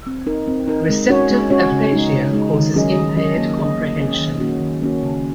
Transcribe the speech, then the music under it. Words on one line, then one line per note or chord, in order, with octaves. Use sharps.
Receptive aphasia causes impaired comprehension.
C4
D#4 A#4
C4
D#4 A#4
G#3
C#4 F#4 C#5
G#3
C#4 F#4 C#5
C#3
G#3 D#4
C#3
G#3 D#4
D#3
F#3 C#4 G#4 D#5
D#3
F#3 C#4 G#4 D#5
A#3
C#4 G#4 D#5
A#3
C#4 G#4 D#5
D#3
A#3 C#4 F#4
D#3
A#3 C#4 F#4
C#3